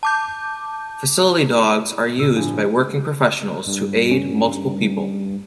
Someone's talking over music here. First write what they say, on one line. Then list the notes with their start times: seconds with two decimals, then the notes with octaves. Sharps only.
Facility dogs are used by working professionals to aid multiple people.
0.03 A5 D6 G6
2.18 E1 A#2 F#4 E6
2.36 G1 A2 F3 D4 G#5
3.66 G2
4.11 C#4